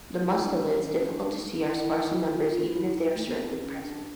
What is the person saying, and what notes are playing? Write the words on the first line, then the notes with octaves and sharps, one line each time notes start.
The mustelids, difficult to see are sparse in numbers even if they are certainly present.
E4
D4
C#4
D4
C#4
D4
C#4
D4
D#4
E4
E4
D#4
E4
E4
F4
F4
E4
D#4
D#4
A3
B3
C4
C4
C#4
D4